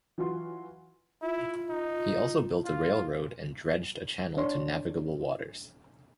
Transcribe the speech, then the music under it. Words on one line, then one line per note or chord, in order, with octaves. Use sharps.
He also built a railroad and dredged a channel to navigable waters.
E3 F#3 F4 F#4 C6
E4 F4
D#4
F4
D4 C#5 C6